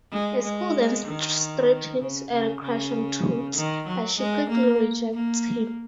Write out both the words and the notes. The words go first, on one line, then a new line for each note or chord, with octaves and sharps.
A school-dance strip hints at a crush on Toots, but she quickly rejects him.
G#3
G#3
D#3
C#3
C#3
C#3
D#3
F#3
G#3
A#3
A#3